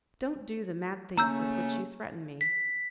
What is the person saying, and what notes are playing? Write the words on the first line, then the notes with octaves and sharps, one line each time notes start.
Don't do the mad things with which you threaten me.
C#3 A3 A#3 C#4 A#5 E6 G6
B6